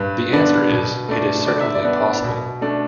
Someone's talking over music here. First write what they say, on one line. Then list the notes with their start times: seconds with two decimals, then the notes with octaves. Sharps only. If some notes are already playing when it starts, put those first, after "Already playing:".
The answer is - it is certainly possible.
Already playing: G2 B4
0.32 D3 B3 D4
0.70 B2
1.08 A3 D4
1.46 D3 D5
1.61 E5
1.75 D5
1.84 B3 D4
2.24 B2
2.61 A3 D4